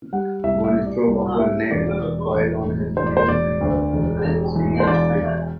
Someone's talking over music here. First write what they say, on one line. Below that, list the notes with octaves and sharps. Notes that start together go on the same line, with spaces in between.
One stroke of a nail file on his middle finger erases human history.
G3 F#5
C2 E5
E5
C3
D5
C2 D5
G3 E5
E1 D5
E1
E1
E1
E1 C5
D5
C5
E1 D5
D2
E1
E1
E2
C5
E1 D5
E1